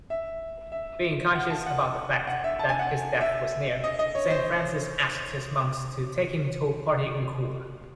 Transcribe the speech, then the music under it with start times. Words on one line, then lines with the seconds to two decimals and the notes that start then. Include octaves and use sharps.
Being conscious about the fact that his death was near, St Francis asked his monks to take him to Portiuncula.
0.10 E5
0.72 E5
1.35 F#5
1.50 A5
1.66 F#5
2.27 F#5
2.44 E5
2.59 A5
2.69 G#5
2.79 F#5
3.21 E5
3.84 D#5
3.99 D#5
4.15 C#5
4.30 C5